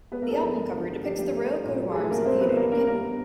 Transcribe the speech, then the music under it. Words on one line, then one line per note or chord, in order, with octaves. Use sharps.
The album cover depicts the Royal coat of arms of the United Kingdom.
G#3 B3 B4
A#3 A#4
G2 A4
G#4
F3
G2
D3
D3
F3 G4
G2 G4
A3
A3
A#2
F#3
A4
A3 G#4
A#3 C#4 A#4
C4 C#4 C5
B3 C#4 B4
G3 A#3 A#4
D3 A#3 A#4
G3 A#3 A#4
B3